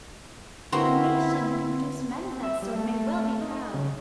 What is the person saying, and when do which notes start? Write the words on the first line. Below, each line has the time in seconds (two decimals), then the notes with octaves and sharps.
A nation who can produce men of that sort may well be proud.
0.72 D3 A#3 C4 E4 F#4 B4 C6
2.12 C4
2.43 E5
2.62 G3
2.76 A3
3.41 D#4
3.74 C#3